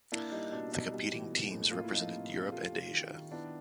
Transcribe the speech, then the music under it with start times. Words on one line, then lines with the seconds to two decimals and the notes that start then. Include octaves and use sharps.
The competing teams represented Europe and Asia.
0.12 A#3 D4 E4
0.32 G3 D#4
0.52 B2 D4
0.72 B2 D#4
0.92 G3
1.12 E3
1.32 A#3
1.51 A2
1.71 A#3 F4
1.83 E4
1.92 F3 D#4 F4
2.12 C3
2.31 C3
2.51 A3 F4 G4
2.72 F#3
2.91 D#3
3.11 D#3
3.31 B3 D4 E4